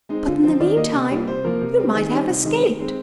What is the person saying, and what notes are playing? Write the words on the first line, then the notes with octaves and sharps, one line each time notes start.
"But in the meantime you might have escaped."
G#3 C4 D#4
D3 F4
F3 C4 C5
D#3 D5
A#3 D#5
C3
G3 A#3
C3 C5
F3 A#3 A#4
C3
G3 C4
D#3 G#4
G3 C4 D#4
C3
D#3 G#3 C4
D#3
G#3 C4